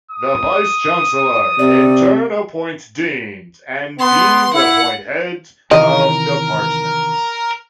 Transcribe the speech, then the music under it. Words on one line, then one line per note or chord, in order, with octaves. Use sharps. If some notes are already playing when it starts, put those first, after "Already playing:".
The Vice Chancellor in turn appoints deans and deans appoint heads of departments.
D#6
C3 D5
B3 C6
E4 F#5
C3 D#3 E3 A#4 D#5